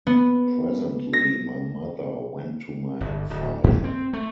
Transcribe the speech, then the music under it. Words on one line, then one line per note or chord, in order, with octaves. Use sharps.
Presently my mother went to my father.
B3
A#6
G1
D1
F#2
C4
A3